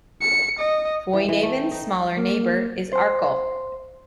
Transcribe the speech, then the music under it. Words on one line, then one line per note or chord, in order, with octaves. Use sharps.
Foinaven's smaller neighbour is Arkle.
C#7
D#5
E3
E3
A3
G5
D#4
A#3
C5